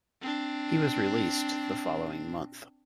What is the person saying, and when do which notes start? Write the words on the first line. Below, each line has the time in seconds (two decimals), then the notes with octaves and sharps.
He was released the following month.
0.22 C4 D4